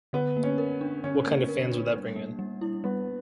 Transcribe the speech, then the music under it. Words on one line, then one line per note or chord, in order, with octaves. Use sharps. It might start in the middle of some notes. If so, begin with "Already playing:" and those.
What kind of fans would that bring in?
D3 B3
A#3
C#4
A#4
D4
D3 C#4
A#3
A#4
D4
G3
A#3
G3
E4
G3 B3